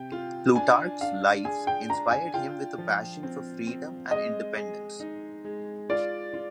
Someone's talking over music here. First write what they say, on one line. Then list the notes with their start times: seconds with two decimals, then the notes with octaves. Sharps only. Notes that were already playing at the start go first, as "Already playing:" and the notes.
Plutarch's "Lives" inspired him with a passion for freedom and independence.
Already playing: C3 G5
0.12 F4
0.56 D4 G#5
1.01 D4 F5
1.45 G#4 G#5
1.67 G5
1.89 D4 A#5
2.11 G#5
2.34 F4 G5
2.78 F3
3.23 C4
3.67 C4
4.11 G#3 D#5
4.56 G#4
5.00 D#4
5.44 G#3
5.89 F4 D5
6.33 F4